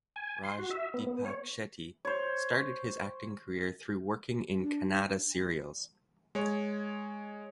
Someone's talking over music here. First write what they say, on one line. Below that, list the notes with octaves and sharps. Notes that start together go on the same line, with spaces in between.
Raj Deepak Shetty started his acting career through working in Kannada serials.
G#5
C6
F#4
E5
B3
B3
C#5
C5 C#5
D4
G#3 C#5